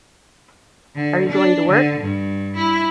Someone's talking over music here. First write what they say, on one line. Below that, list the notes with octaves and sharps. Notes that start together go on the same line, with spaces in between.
Are you going to work?
D3
D4
D3
G2
E4